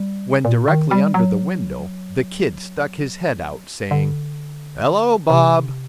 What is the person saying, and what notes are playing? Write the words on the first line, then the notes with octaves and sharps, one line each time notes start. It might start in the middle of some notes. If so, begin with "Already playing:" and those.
When directly under the window, the "Kid" stuck his head out, saying: "Hello, Bob!"
Already playing: G3
A#2
D#3
G3
F#3
D3
C3